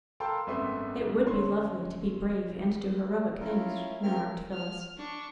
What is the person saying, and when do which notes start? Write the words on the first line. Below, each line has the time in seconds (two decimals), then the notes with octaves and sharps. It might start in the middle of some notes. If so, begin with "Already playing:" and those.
"It would be lovely to be brave and do heroic things," remarked Phyllis.
0.20 A4 A#4 F5 G5 A5 C6
0.47 G#1 F#2 A3 B3 E5 C6
1.26 F#2 D3 C#5 C6
3.41 C#4 E4 F4 A#4
4.03 C4 C#4 F4 A#4 F6
4.53 F6
4.97 D4 C#6